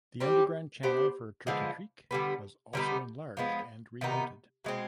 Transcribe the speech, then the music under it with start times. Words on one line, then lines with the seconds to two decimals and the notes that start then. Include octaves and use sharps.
The underground channel for Turkey Creek was also enlarged and rerouted.
0.20 G3 C4 G4
0.83 B3 D4 G4 C5
1.47 D3 F3 G#3 B3
2.11 D3 G3 B3
2.73 D3 G3 B3 D#4
3.37 F3 G#3 B3
4.01 C3 D#3 B3 D#4
4.64 B2 G#3 C4